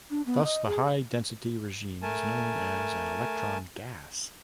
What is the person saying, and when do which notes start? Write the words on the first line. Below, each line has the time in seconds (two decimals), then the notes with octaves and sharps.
Thus the high-density regime is known as an "electron gas".
0.11 D4
0.26 B3
0.44 D#5
0.67 G#4
2.03 A3 A#4 G#5 A5